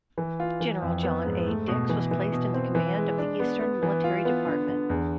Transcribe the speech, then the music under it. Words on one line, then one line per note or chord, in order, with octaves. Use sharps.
General John A Dix was placed in the command of the Eastern Military Department.
E3
F4
E3
F2
B3
G#2
A3
B2
E3
E3
B2
C4
E3
G#3
D4
B3
B3
E3
F4
B3
D3
D3
E2